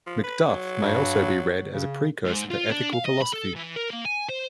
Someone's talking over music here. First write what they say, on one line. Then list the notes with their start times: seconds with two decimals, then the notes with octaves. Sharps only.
Macduff may also be read as a precursor for ethical philosophy.
0.07 F3
0.24 B4
0.48 F#3
0.81 G2
1.73 C#3
2.25 G#2
2.51 F4
2.71 D4
2.93 F5
3.05 D#5
3.21 B5
3.33 A4
3.56 E3
3.76 A#4
3.90 A#3
4.05 G#5
4.29 C5